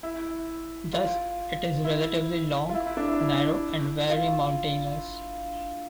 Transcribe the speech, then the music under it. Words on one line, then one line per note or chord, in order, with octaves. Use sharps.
Thus, it is relatively long, narrow, and very mountainous.
E4
F4
E4
F4
E4
E4
D4
E4
E4
F4